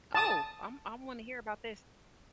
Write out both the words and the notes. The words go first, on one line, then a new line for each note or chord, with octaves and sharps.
Oh! I'm I wanna hear about this.
A5 D#6